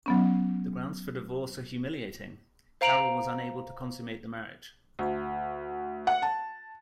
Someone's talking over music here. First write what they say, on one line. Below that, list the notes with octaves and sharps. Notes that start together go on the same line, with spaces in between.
The grounds for divorce are humiliating: Karol was unable to consummate the marriage.
F#3 B3 C#4
C5 F5 A#5 D7 F7 F#7
D2
F#5
A5